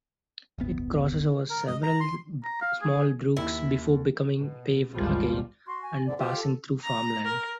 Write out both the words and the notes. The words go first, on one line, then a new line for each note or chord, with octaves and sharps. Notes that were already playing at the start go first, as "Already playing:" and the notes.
It crosses over several small brooks before becoming paved again and passing through farmland.
D1 G1 B3
A#4
D#5
A#5
C6
A#5
F5
G#4
D#2 E4
B2
G#1 D2 G#2 F3 G3 F4
F#4 C6
G#5
E2 G#2 D3 D5
F4 G4 C5
A4
A#5
A#4